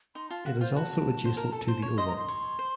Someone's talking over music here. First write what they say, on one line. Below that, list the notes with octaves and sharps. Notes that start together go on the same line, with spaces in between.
It is also adjacent to the oval.
D#4 C6
F4 A5
F#4 F5
A#4
F4 C5
F#4 A5
C5
A#4
A4
C5
C#5
D#5 C6
A#5
C6
C#5
C5